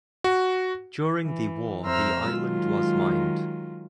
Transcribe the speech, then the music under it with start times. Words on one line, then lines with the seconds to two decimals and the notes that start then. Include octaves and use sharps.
During the war the island was mined.
0.24 F#4
1.23 E3
1.84 F2 C5 E5 A#5 E6 F6
2.30 D#3 F#3 G#3 F4